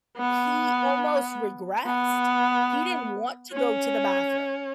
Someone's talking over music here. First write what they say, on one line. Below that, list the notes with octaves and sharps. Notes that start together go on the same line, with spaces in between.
e he almost regressed. He didn't want to go to the bathroom.
B3
B3
C#4